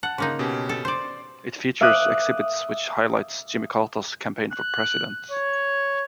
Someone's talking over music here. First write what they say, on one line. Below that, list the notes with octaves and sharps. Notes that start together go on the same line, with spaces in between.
It features exhibits which highlight Jimmy Carter's campaign for President.
F#5 A5 F#6
C#3 A#3 D#4 C6 A#6
B2 C#4 G4
A4
C5 D5 C6
E5 F5 D6 D#6 F#6
F#6
C#5